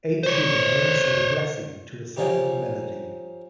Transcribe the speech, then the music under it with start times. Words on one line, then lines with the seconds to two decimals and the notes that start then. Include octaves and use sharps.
Eight women then sing a blessing to a separate melody.
0.23 C5 C#5
2.17 F3 C#4 D#4 G4